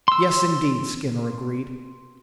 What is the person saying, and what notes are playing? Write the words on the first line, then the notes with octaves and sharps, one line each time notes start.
"Yes, indeed," Skinner agreed.
C6 E6